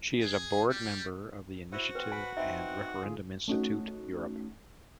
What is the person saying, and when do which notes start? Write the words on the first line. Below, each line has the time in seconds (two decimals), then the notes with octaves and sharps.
She is a Board Member of the Initiative and Referendum Institute Europe.
0.20 G#4
0.69 G3
1.72 E4 F#4 C5 F#5
1.95 C4 B4
2.12 B4 G#5
2.37 C4 D#4 B4 E5
3.03 D3 F4 G#4
3.48 A3 C#4 D#4 F#4